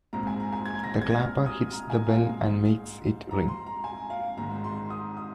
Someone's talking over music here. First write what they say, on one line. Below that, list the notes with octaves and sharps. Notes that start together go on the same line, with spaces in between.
The clapper hits the bell and makes it ring.
A#1 G#2 G#3 C4 A#5
G#5
A#5
G#5
G#6
A#6
G#6
F6
D#6
A#5
G#5
F5
A#1 G#2 G#3
A#5
C6
A#5
G#5
F5
G#1 G#2 D#3 G#3 A#5
C6
D#6
D#6